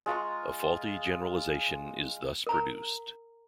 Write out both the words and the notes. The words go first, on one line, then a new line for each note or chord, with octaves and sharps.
A faulty generalization is thus produced.
G#3 F4 A#5 C#6
A#4 A#5